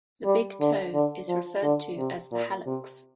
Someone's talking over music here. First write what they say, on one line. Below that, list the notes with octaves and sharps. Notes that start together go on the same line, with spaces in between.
The big toe is referred to as the hallux.
G3
D3
D3
F3
D3
C3
A#2
C3